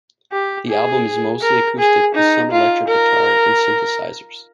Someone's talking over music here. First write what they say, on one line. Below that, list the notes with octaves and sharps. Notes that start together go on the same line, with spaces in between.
The album is mostly acoustic with some electric guitar and synthesizers.
G4
G#4
A#4
G#4
D#4
F4
A#4